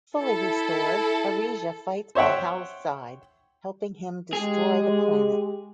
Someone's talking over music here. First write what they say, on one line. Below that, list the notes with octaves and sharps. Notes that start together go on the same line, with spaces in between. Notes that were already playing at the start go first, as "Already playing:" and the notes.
Fully restored, Arisia fights by Hal's side, helping him destroy the planet.
E4 A4
C5 C#5 E5 F#5 G5
G#3 G4 G#4